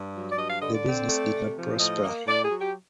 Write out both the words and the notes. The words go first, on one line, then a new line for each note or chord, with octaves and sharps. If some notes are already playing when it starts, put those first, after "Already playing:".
The business did not prosper.
Already playing: G2
F#3
D5
G2 D#5
F5
D3 D#5
D5
C4
A3
C3
F3
A2 D#5
A#3
A2 D5
G#4
F#3
G4